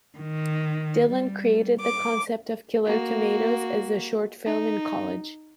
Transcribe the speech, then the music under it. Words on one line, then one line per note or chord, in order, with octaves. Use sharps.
Dillon created the concept of Killer Tomatoes as a short film in college.
D#3
G3
D6
A#3 F#4
D#4